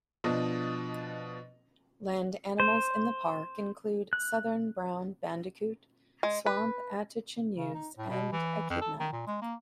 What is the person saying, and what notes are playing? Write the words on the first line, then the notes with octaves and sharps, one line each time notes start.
Land animals in the park include southern brown bandicoot, swamp antechinuse and echidna.
B2 F3 D4 D#5 D#6
C5
F#6
G#3
B4
C#3
D#4
A2
B2
E3
F2
A4
D#3
A#2
G#3
A#3